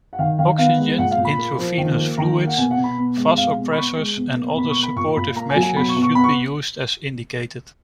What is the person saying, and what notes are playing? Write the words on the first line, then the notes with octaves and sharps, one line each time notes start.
Oxygen, intravenous fluids, vasopressors and other supportive measures should be used as indicated.
F#5
D#3 F5
D#3 F5
B3 F5
G#3
A#2 F#5
F5
A#2
B5
A#3
F3
D#3
A#3
D#3 A#5
A#3
F#5
B2 G#5
F#5
B2
B5
B3
G#3
B2 F5
B2
B5
B3 C#6
G#3
B2
A#3
B2 B5
C#6
A#3
B5
A#2 C#6
A#2 B5
A#3 A#5
G#5
F#3
G#5
B2 B5
C#6
B2
C#6
B3 B5
C#6